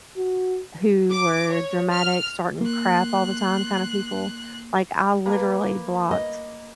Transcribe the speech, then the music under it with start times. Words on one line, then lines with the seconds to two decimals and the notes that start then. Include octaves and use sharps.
who were dramatic, starting crap all the time kind of people, like, I literally blocked
0.17 F#4
1.11 D6
1.52 C#5
1.93 F6
2.61 A#3 C6 F#6
5.26 A#3 B4
6.11 D#5